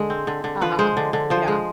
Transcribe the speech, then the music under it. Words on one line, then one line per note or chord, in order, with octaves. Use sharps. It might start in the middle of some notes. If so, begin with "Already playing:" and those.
Uh-huh, yeah.
Already playing: D3 G#3
C4
D3
D3
F3 B4
G#3 C5
D3
D3
F3 C5
G#3